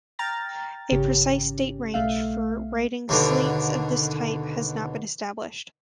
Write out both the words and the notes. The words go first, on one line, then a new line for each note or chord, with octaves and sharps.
A precise date range for writing slates of this type has not been established.
G5 A#5 F6 A6
G#1 C#3 C#4 G4
B1 A3 E5 F5
D#2 B2 D3